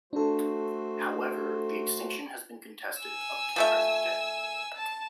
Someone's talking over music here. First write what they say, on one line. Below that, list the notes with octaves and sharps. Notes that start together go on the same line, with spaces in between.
However, the extinction has been contested up to the present day.
A3 D4 F#4 A4 C5
G#5 E6
F3 A3 E5
A5